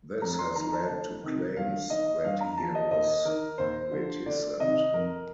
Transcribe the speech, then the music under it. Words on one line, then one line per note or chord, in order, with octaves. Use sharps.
This has led to claims that he was reticent.
F2 A#5
C6
D#3 A#5
A5
D2
C3 D#3
G2 F5
D#3 D#5
G2 F5
A#5
F3 A5
D#5
D#2 D#5
D#3 A#4
D#2 C5
D3 F3
D2 D5
C3 D#3 D#5
F2 A#4